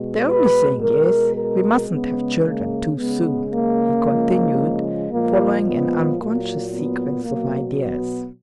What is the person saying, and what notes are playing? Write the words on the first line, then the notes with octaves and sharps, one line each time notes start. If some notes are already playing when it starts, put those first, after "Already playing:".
"The only thing is, we mustn't have children too soon," he continued, following an unconscious sequence of ideas.
Already playing: B2 G#3
B4
B2 G#3 A#4
A#4
C#3 G#3 B3
A#3
C#3 G#3 B3
A#3
C#3 F3 G#3
A#2 F3 G#3 A#3
B3
A#2 F#3 A#3
B3
B2 F#3 A#3
B3